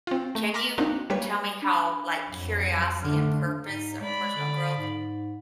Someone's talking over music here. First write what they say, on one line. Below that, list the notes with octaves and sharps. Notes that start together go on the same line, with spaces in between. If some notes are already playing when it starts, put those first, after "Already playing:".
can you tell me how, like, curiosity and purpose or personal growth
C4 F4
A3
A#5 C6 D6 F6 A#6 B6
A#3 C4 D4 D#4 F#4
G3 A#3 B4 C#5 C#7
D4 B5 D6
F2 F#3
D3 A3 F6
G#2 D#4
G#3 D5 B5
D3
G#2